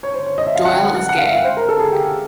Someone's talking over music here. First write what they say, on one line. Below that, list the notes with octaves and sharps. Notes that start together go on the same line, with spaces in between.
Doyle is gay.
C#5
C5
C#5
D#5
E5
F5
F#5
G5
F#5
F#5
F#5
F5
E5
F5
C5
A#4
A4
G#4
G4
G#4